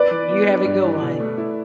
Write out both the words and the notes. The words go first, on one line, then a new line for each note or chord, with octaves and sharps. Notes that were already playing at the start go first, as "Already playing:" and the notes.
you have a good one.
Already playing: B4 D5
E3
B3
D4
G2
E3
B2
A3
E4